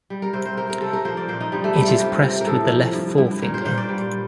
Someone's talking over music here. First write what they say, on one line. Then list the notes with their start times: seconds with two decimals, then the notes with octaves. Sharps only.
It is pressed with the left forefinger.
0.10 G3
0.22 A#4
0.33 C3 C5
0.45 C5
0.57 C3 A#4
0.70 A#4
0.81 C3 A4
0.93 A#4
1.05 F3 C5
1.17 D5
1.28 A#2 C5
1.40 D#4
1.52 G2 G3
1.64 A3
1.76 G2 G3
1.88 F4
1.99 C3 G4
2.23 C3
2.41 A#4
2.46 A2 A4
2.70 F3
2.94 G2
3.18 G2
3.42 A#2 A#4
3.54 C5
3.65 A#2 C5
3.78 D5
3.89 G3